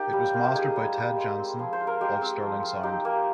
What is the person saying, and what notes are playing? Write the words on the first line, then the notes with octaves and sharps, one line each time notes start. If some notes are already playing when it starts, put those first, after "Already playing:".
It was mastered by Ted Jensen of Sterling Sound.
Already playing: A#3 D#4 G4
G3
A#3 F4
G4
D#4 G#4
G3
G3
G#3
C4
F3 G#4
C5
F4
A#4
G#3 G4
C4
F3
F4
D#4 G4
A#3